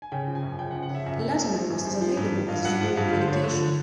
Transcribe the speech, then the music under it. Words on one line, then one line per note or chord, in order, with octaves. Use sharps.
Latanoprost is available as a generic medication.
G#5
C#3 G5
F3
G#5
F#2
C#3 G5
F#5
F3
F#5
C#3 E5
F#2 E5
F#2
F3
F3
F#2
F3
F3
G2
F3
G2 F5
G2 F#5
F3 F#5
G2 F5
D3 F5
C5
F3 C#5
D3